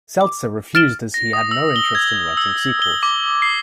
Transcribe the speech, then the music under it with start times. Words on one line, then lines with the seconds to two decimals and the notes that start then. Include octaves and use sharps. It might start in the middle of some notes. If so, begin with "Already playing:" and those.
Seltzer refused as he had no interest in writing sequels.
0.21 D6
0.75 F6 A6 D7 E7 F#7 G7
1.14 A#6
1.33 D#6
1.51 E6
1.76 G7
1.95 G#6
2.37 E6
2.82 G7
3.03 D6
3.42 C7